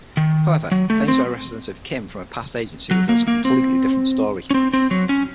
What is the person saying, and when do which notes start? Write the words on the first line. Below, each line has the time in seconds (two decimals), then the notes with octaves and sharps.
However, claims by representative Kim from her past agency reveals a completely different story.
0.17 D#3
0.72 F#3
0.90 A3
1.08 C4
2.91 F#3
3.09 A#3
3.28 A#3
3.45 C4
4.51 C#4
4.54 C4
4.73 C4
4.91 F#3
5.09 C#4